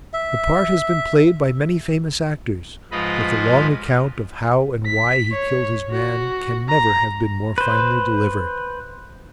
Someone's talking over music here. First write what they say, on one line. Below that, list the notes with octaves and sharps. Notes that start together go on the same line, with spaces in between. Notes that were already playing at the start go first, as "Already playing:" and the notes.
The part has been played by many famous actors, but the long account of how and why he killed his man can never have been more finely delivered.
E5
G#2 F3 F4 B4 D#5 B5
B6
C#5
F#4
A#5
B4 C5